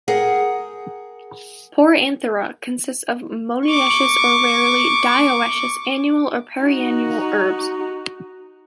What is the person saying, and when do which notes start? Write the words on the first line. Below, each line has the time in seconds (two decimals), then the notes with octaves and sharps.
"Poranthera" consists of monoecious or rarely, dioecious annual or perennial herbs.
0.08 G#4 A#4 F#5 G5
3.66 C#6 D6
6.62 D#4 F#4